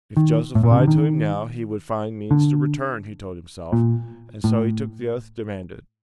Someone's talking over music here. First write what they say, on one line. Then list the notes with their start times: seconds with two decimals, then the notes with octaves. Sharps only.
If Joseph lied to him now, he would find means to return, he told himself, and so he took the oath demanded.
0.17 D#3
0.55 A2
0.63 A#2
0.71 C3
0.80 D3
0.88 D#3
2.31 D3
3.73 A#2
4.44 A2